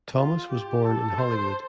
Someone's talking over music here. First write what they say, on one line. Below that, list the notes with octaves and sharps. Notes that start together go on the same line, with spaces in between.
Thomas was born in Hollywood.
F4
G4
A4
C5